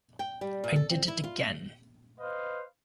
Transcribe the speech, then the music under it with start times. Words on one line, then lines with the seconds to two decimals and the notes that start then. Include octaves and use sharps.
I Did It Again.
0.19 G5
0.41 G3
0.64 A#2
0.76 A4
0.90 C4
1.08 E4
1.24 F4
2.20 B4 C5 D#5 F5